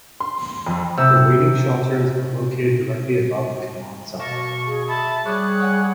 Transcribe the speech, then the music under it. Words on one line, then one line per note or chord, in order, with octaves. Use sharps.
The waiting shelters are located directly above the canal itself.
C6
F2
C3 E6
B2 A#3 A5 A#5 C#6
G#4
E5 A5 B5
G3 G#4 C#5 D5 D#6 F#6
C#5 F#5 G#5